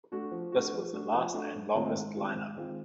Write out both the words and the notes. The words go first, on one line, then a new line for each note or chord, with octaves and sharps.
This was the last and longest lineup.
A3 D4 F#4
F3
A3 D4 F#4
F3
A3 D4 F#4
F3
A3 D4 F#4
G#2
D#3 G#3 C4 F4
G#2
D#3 G#3 C4 F4
G#2
D#3 G#3 C4 F4